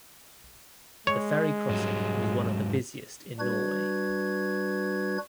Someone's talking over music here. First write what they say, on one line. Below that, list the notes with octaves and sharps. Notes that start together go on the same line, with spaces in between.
The ferry crossing was one of the busiest in Norway.
G#3 C#5
G#2 F#3 G3
G3 D4 F#4 B4 G#6